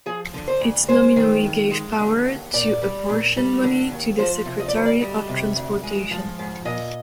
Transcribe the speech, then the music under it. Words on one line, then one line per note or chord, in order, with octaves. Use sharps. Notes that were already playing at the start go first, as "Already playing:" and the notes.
It nominally gave power to apportion money to the Secretary of Transportation.
F3 G#4
D3
C5
D2
G#3 C5
D#3
F2
G#3
D3
D#2
A#2 D5
G3
A#2
G3
D3
D#2
F3 C5
C3
D#5
D5
D2 C5
D5
G3 D#5
C3
D2
G#3
F3
G#2
A#2 D#5